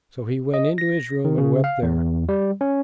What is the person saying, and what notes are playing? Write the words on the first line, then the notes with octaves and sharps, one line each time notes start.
So he went into his room and wept there.
D#5
A#6
D#3
C#3
F5
E2
G3
C#4